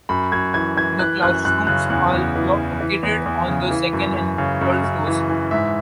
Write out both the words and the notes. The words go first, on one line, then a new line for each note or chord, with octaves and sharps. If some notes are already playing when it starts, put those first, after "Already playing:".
The classrooms are located on the second and third floors.
F#2 B5
F#2 G#6
E3 G#6
E3 G#6
E3 F#6
F#2 F#6
F#2 F#6
C#3 F#6
E2 F#6
E2
E3
E3
E3
E2
E2
C#3
E3
F#2
F#2
C#3
F#2
F#2
E3
E3
G#2 E5